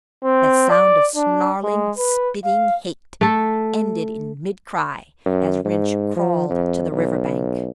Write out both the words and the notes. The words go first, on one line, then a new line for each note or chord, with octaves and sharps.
That sound of snarling, spitting hate ended in mid-cry as Rynch crawled to the river bank.
C4
D5
D4
G#3
B4
F5
A3 A4
F#2
G#2
F3
F2
B1